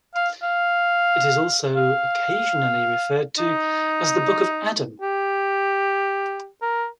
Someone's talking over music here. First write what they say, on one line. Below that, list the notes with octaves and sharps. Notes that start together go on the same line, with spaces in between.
It is also occasionally referred to as The Book of Adam.
F5
F5
F5
D#4
G4
A#4